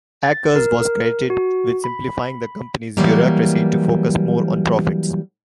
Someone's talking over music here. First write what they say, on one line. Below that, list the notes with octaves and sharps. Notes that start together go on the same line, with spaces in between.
Akers was credited with simplifying the company's bureaucracy to focus more on profits.
A6
A#4
F#4
B5
E3 F#3 G3 A#3